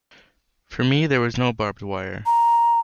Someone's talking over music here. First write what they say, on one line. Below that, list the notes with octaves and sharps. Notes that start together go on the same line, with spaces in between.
For me there was no barbed wire.
A#5